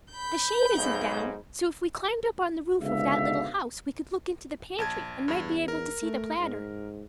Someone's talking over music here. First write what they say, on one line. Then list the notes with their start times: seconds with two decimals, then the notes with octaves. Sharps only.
The shade isn't down, so if we climbed up on the roof of that little house we could look into the pantry and might be able to see the platter.
0.11 B5 G6
0.75 B1 G#2
2.79 C#2 G#2 B2 D3 E5 F5
4.78 A#1 A5 G#6
5.28 E2 G2
5.68 A#4
6.02 A3
6.38 G#2